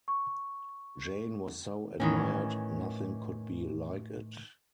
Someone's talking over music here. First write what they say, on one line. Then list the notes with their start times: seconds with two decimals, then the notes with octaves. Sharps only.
Jane was so admired, nothing could be like it.
0.08 C#6
2.00 A2 D#3 E3 C#4